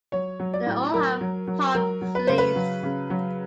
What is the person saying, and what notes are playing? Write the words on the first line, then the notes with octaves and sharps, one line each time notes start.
They all had puffed sleeves.
F#3 C#5
F#3
D5
A2
F#3 A#4
F#3
F#3
F#3 A#4
F#3
B4
C#3 C5
B4
F#3
C#3
F#3